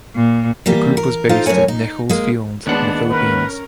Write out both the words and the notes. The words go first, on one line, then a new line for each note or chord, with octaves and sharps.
The group was based at Nichols Field, in the Philippines.
A#2
E3 G3 A#3 G4
A#4
D#4 F4 A4 C5 F5
F#2 A2 C4 A#4 C#5 G#5
D#4
G#3 A#3
D#2 G#3 B3 D4 F#5
C#4 A#4 B4